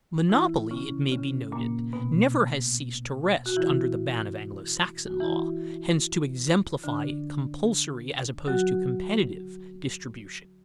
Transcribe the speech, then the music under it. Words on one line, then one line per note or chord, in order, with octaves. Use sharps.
Monopoly, it may be noted, never has ceased to rest under the ban of Anglo-Saxon law, hence to exemplify compulsory, as opposed to competitive, distribution.
E3 E4
C#3 C#4
C#3 C#4
A#2 A#3
B2 B3
F#4
E3 E4
F#4
E3 E4
D3 D4
F#3 F#4